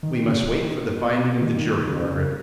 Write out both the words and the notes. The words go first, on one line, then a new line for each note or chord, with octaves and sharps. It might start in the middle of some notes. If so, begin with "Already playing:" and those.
"We must wait for the finding of the jury, Margaret."
D#3
C#3
D#3
B2
D#3
C#3
D#3
C#3